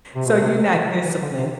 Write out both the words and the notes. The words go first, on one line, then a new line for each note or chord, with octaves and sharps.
So you're not disciplined.
C3
B2
C3
E3
F#3
E3
D3
C3